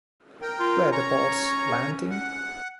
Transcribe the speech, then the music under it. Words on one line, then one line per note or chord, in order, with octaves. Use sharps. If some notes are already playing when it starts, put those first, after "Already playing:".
Were the boats landing?
A#4 G5
F4
C#4 C#5 A#5 C#6
F#5